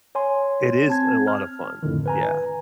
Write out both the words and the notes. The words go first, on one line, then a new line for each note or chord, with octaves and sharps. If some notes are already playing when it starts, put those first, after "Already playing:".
It is a lot of fun. Yeah.
C#5 G#5 C6
C4 A5 G#6
F6
F2 A2 D3 D#3
B4 G#5 A#5